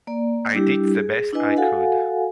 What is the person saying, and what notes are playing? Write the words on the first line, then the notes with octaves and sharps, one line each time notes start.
I did the best I could.
A#3 D5
G3 D4 E4 G4
G#4
D4 E4 B4 D#5 G#5
F#4 A4 F5 F#5 G#5